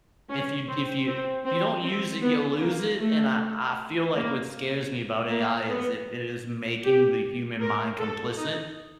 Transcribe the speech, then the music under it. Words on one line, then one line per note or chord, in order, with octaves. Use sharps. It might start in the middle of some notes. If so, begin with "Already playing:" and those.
if you if you if you don't use it, you'll lose it. And I I feel like what scares me about AI is it it is making the human mind complicit,
C#4
C4
C4
C4
C4
B3
A#3
A3
A#3
A#3
B3
G4
A#4
A4
D#4